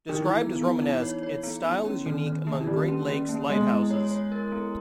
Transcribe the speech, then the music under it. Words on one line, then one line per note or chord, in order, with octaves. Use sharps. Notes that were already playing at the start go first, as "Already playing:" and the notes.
Described as Romanesque, its style is unique among Great Lakes lighthouses.
D#3
E3 D#4
B3
B3
D#4
C#5
C#5
B3
B3
C#4
D#3
D#3
A#3
E3
D#3 G3
C#4
C#4
A#3
G#3 B3
E4
C#5
C#5
A#4
B3